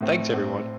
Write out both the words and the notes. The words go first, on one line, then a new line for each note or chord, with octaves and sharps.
Thanks everyone!
A2 A3 C4
A2 A3 C4